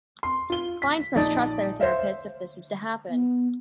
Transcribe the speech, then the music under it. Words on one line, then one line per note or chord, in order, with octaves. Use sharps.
Clients must trust their therapist if this is to happen.
C6
F4 G7
B6
A#1 D#4 D5 A5 D#6 A6
C5 C#5 E5 F5
B3